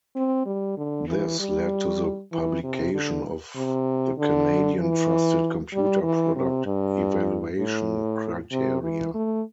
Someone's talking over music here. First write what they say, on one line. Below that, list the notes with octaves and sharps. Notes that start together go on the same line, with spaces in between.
This led to the publication of the Canadian Trusted Computer Product Evaluation Criteria.
C4
G3
D3
E3
G3
E3
C3
D3
C3
D3
E3
G3
E3
C3
G2
A2
C3
E3
A3